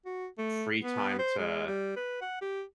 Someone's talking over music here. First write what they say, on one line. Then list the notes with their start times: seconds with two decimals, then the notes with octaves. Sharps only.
free time to
0.05 F#4
0.38 A3
0.81 B3
1.19 C5
1.38 G#3
1.67 G3
1.96 B4
2.21 F#5
2.42 G4